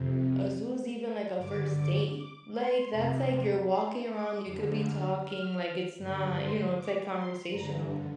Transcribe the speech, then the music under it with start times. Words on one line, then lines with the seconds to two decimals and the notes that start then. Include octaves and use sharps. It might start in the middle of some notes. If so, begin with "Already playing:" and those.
"A zoo's even like a first date." Like that's like, you're walking around, you could be talking, like it's not, you know, it's like conversational.
Already playing: F2 C3
1.38 G2 D3 D6
1.77 D6
2.15 D6
2.53 C6
2.92 F2 C3
3.68 C6
4.07 D6
4.45 F2 D3
4.83 F6
5.22 F6
5.98 G2 D3
6.37 C6
6.75 D6
7.13 C6
7.52 G2 D3 A#5